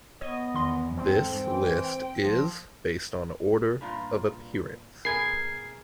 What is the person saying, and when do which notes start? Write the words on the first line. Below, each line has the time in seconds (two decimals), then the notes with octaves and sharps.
This list is based on order of appearance.
0.21 B3 C#5 D#5 C#6
0.54 E2 D#3 C6 A#6
0.97 G#2 C4 A4
1.42 E3 G5
2.17 F3 A#6
3.81 G2 A#2 F4
5.05 B2 G#4 A#4 G#6 C7